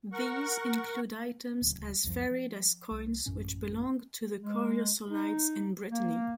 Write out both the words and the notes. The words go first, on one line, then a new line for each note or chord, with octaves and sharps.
These include items as varied as coins which belonged to the Coriosolites in Brittany.
A#4 F#5 C#6
D1 C#2
C2 F2 F3
F3
C2
A1 F#2 A2 C#4
G#3
D#4
A#3